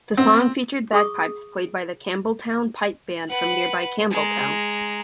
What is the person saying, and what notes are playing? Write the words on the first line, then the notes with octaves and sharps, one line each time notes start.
The song featured bagpipes played by the Campbeltown Pipe Band from nearby Campbeltown.
C4
G#4 C#6 D#6
B4 F#5
G#3 A#5